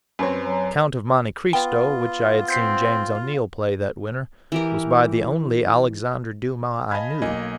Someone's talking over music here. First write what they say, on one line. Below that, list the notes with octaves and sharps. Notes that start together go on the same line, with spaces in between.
"The Count of Monte Cristo," which I had seen James O'Neill play that winter, was by the only Alexandre Dumas I knew.
F#2 G3 C4 B4 C#5
F#3
B3 F4 F#5 G5
C4 G6 B6 C7
F5
E3 G4 A#4
D#5 F5 G#5 A5 B5 G#6
B1 A#3 D#5 G#5